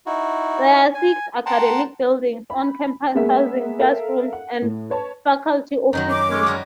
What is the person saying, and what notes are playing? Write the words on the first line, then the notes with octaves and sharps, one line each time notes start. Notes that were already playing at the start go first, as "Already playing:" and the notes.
There are six academic buildings on campus housing classrooms and faculty offices.
D#4 E4 F#4
G#5
F#5 G5 A5 A#5 C6
B5
G#3 A#3 B3 G#4 A#4 E5
A4 A#4 E5 F5
F#5
A2
B4 C#5 A5
F#2 D#3 F#3 D#4
D6
G#3 C#4 C#5
G3 D#4 F#4